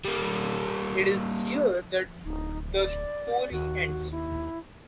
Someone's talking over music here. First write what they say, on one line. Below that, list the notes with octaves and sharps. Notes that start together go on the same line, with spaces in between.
It is here that the story ends.
G3 A#3
D1 D#4
D5
D#2 F#4
E4